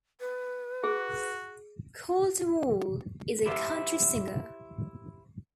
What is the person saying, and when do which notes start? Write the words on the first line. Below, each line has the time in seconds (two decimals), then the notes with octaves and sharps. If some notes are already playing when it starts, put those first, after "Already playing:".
Colter Wall is a country singer.
0.20 B4
0.84 F#4 G#4
3.46 E4 G4 C5 C#5 E5 F5